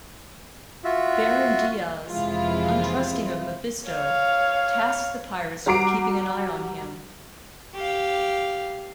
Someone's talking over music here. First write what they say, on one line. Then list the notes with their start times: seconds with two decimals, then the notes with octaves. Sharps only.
Baron Diaz, untrusting of Mephisto, tasks the pirates with keeping an eye on him.
0.84 F4 F#4 E5
2.08 F2 C3 E3 G#3 E4 F4
3.88 C#5 F5
5.66 G3 F#4 A#5 D6 C7 D7
7.75 G4 F5